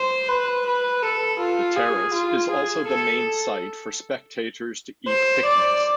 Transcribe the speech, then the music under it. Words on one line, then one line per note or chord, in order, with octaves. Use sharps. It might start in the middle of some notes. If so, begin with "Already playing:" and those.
The terrace is also the main site for spectators to eat picnics.
Already playing: C5
B4
B4
A4
F4
G#4
F4
G#4
A4
C5
D5